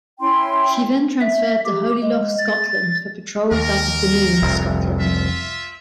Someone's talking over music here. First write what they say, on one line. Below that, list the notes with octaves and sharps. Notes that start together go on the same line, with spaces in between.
She then transferred to Holy Loch, Scotland, for patrols out of Dunoon, Scotland.
C#4 E4 G5 C6
E5
G4
G#3
A6
D#2 A#4
F1 C2 F2
F4 E5